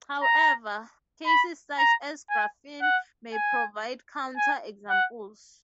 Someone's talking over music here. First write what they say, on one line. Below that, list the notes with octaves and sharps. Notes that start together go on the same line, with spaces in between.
However, cases such as graphene may provide counter-examples.
A#5
B5
A#5
G#5
F#5
G#5
G#5
F#5